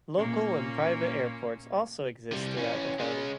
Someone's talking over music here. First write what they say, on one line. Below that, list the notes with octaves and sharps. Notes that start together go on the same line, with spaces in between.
Local and private airports also exist throughout the county.
A#2 A#3 C#4
C3 G3
E3 C#4
G#3 C#4